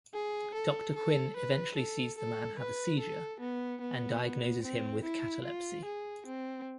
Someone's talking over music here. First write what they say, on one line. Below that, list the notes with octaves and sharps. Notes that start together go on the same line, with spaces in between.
Doctor Quinn eventually sees the man have a seizure and diagnoses him with catalepsy.
G#4
A4
A4
B4
A4
A4
B4
A4
B3
B3
C4
E4
F4
G#4
C4